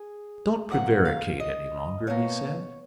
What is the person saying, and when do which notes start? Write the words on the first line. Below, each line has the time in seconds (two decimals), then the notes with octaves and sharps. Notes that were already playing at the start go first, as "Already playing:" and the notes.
"Don't prevaricate any longer," he said.
Already playing: G#4
0.71 G#2 D#3 F#3 A#3 F#5
1.05 F5
1.40 D#5
2.07 B2 A#3 C#5